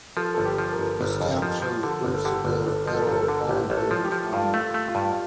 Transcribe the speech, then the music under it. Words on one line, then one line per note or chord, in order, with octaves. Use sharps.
The stamp shows Bruce Saville's Battle of Fallen Timbers Monument.
F3 A4
G1 A4
G4
F3
A#4
G1
G1
F2
F3
F3
D3 A4
G1 A4
A4
D3 G4
G1 A4
G1 A4
F3
A4
A#4
G1 A4
A4
D3
A1 G4
A1
A4
F3
G4
F3
G2 F4
A3
F4
A3
F4
G2